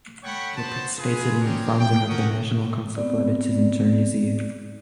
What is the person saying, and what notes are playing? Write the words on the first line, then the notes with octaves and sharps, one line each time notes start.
He participated in the founding of the National Council for Liberties in Tunisia.
A4 C#5 F#5 G5 B5 C#6
B3 F#4 C5 A5
F4 G#4 B4
C4 D4 G4 A#4 C#5
G5
A3 C#4 A#4 F#5 C#6 D#6
B3 C4 D5